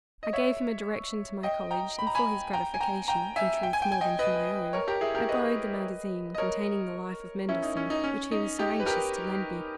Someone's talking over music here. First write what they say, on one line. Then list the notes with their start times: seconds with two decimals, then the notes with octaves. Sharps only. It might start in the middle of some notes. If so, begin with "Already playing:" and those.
I gave him a direction to my college, and for his gratification, in truth, more than for my own, I borrowed the magazine containing the life of Mendelssohn, which he was so anxious to lend me.
0.23 D#5
0.33 C#5 E5
1.43 D#5 G5
1.71 G5 A#5
1.99 B5
2.07 A#5
2.15 G#5 B5
2.53 G5 A#5
2.74 G#5
2.80 G5 A#5
3.08 G5 A#5
3.36 E5 G#5
3.63 G5
3.73 G#5
3.82 G5
3.92 G#5
4.01 D#5 G5
4.19 B4 D#5
4.73 A#4 C#5
4.87 G4 A#4
5.01 E4 G#4
5.15 G4 A#4
5.29 B4 D#5
6.35 D#5
6.38 A#4 C#5
7.49 C#4 E4
7.63 D#4
7.77 C#4
7.90 D#4
8.04 C#4
8.31 D#4
8.59 D#4 G4
8.80 B4
8.86 G4 A#4